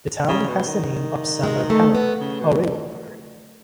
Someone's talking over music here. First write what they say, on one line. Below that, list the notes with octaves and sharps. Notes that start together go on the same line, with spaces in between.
The town has the name of Samuel Cameron, a railroad worker.
C#3
B2
D#3
G#3
A3
B3
C#3
B2